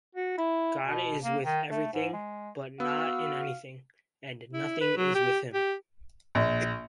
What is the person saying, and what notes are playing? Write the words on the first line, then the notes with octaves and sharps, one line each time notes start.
God is with everything, but not in anything, and nothing is with Him.
F#4
E4
B2
A#3
D#3
A3
G#2
G#3
B3 F#4 F5 E6
E4
B4
F#3
G4
G4
A#1